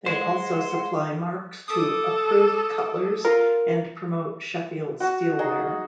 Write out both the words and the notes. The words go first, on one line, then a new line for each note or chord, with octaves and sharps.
They also supply marks to approved cutlers and promote Sheffield steelware.
G#3 C5 F#5 C6
A4 D6 D#6
F4 A#4
F#4 F#5
D#4 G#4